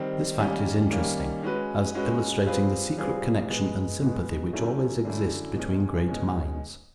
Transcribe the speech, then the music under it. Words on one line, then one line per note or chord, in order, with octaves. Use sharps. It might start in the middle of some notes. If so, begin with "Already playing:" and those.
This fact is interesting, as illustrating the secret connection and sympathy which always exist between great minds.
Already playing: D#3 G3 C4
D#3 G3 A#3 C#4
D#3 G3 A#3 C#4
G#3 C#4 F#4 B4
G#3 C#4 F#4 B4
G3 C4 F4 G#4 B4
G3 C4 F4 G#4 B4
B2 G#3 B3
B2 G#3 B3
D3 F#3 A3 C#4 E4
D3 F#3 A3 C#4 E4
B2 G#3 C#4
B2 G#3 C#4